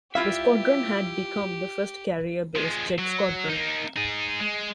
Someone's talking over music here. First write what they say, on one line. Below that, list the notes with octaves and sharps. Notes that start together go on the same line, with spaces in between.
The squadron had become the first carrier-based jet squadron.
G3 E4 F4 G4 E5 F5
F3 G#3
F#3
A#3 D#4
D#4 G#4
G#3